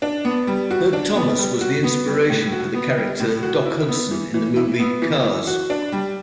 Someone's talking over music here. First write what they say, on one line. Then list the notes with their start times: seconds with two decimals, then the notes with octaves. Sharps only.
Herb Thomas was the inspiration for the character "Doc Hudson" in the movie "Cars".
0.02 D4
0.25 B3
0.47 G3
0.71 F#4
0.93 D4
1.15 B3
1.38 G3
1.61 F#4
1.84 B3
2.07 G3
2.29 A2
2.52 F#4
2.74 B3
2.97 G3
3.20 A2
3.43 F#4
3.66 E4
3.89 B3
4.11 E3
4.34 E3
4.57 E4
4.79 B3
5.02 E3
5.25 E3
5.47 F#4
5.70 D4
5.92 G3